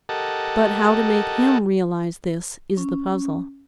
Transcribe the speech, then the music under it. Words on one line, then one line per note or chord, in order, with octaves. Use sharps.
But how to make him realise this, is the puzzle.
G4 A4 A#4 D#5 F#5 A5
C#4